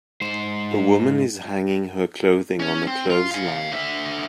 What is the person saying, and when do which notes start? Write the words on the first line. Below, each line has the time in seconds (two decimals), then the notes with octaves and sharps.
A woman is hanging her clothing on a clothesline.
0.21 G#2 C5
2.60 C#4 C#5
2.87 C4
3.10 F4
3.31 F5 G#5
3.72 D3 E5